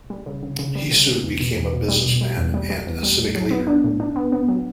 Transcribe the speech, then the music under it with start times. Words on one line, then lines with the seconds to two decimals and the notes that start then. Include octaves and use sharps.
He soon became a businessman and a civic leader.
0.10 G3
0.26 C#3
0.43 C#3
0.59 C#3
0.75 G3
0.91 C#3
1.07 C#3
1.23 E2
1.40 B2
1.56 E2
1.73 B2
1.88 G3
2.05 B2
2.21 G3
2.38 E2
2.54 G3
2.70 G3
2.87 E2
3.03 G3
3.19 A2
3.35 F#3
3.51 B3
3.67 D4
3.84 A2
4.00 D4
4.16 B3
4.32 B3
4.49 F#3